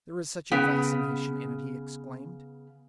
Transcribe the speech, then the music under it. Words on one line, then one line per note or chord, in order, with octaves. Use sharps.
"There is such a fascination in it!" he exclaimed.
C#3 B3 G5